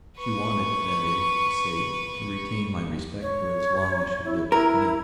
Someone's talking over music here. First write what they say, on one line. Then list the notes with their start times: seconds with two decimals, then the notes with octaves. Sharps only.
She wanted, that is to say, to retain my respect for as long as she lived with me.
0.18 B4 C#6
3.22 C#5
4.24 E4
4.52 E4 A#4